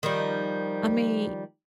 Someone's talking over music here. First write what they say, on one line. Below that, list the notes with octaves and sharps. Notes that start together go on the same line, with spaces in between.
I mean,
D#3 F3 G3